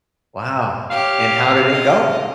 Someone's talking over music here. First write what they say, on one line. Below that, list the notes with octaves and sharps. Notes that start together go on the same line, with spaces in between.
Wow. And how did it go?
G4 C#5 F5
D#5